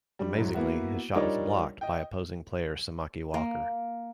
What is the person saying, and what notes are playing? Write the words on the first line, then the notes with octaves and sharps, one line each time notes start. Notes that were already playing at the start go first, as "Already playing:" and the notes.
Amazingly, his shot was blocked by opposing player Samaki Walker.
G2 G3
G#2 F#3 E4
A#3 B3 E4 F#4
G3 D4 D#4 F4 A#4 C#5
D#5 G5
A#3